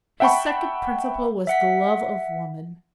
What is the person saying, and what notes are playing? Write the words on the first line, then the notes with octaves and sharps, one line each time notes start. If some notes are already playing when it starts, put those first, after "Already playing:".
His second principle was the love of woman.
E5 F#5 G5 A5 B5 C#6
E5 F#5 B6